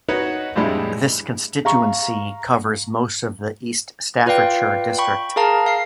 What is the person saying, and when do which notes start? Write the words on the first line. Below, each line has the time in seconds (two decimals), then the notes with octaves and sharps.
This constituency covers most of the East Staffordshire district.
0.08 D#4 F#4 B4 C#5 D#5
0.56 F2 A2 G3 G#3 D4 E4
1.65 F5 A#5 C#6
4.26 F4 B4 D5 F5 G5
4.98 G5 B5 C#6
5.36 G#4 A#4 F5 A5 A#5
5.66 F5 C7